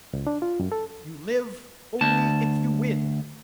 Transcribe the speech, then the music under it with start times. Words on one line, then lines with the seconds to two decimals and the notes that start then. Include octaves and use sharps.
You live only if you win!
0.13 C#2
0.27 D4
0.42 F4
0.60 F#2
0.72 A4
2.01 D2 A5